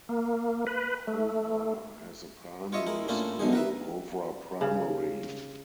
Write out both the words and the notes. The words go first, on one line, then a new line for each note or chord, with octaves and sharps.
Howrah has a primary school, Howrah Primary.
A#3
B4
A3
F4 C#5 D#5 E5
G#3 E4 A#4
A2 A#3 C#4 D4 E4 F4
B1 F#2 B2 D3 G#4
A#4 B4 E5
C#3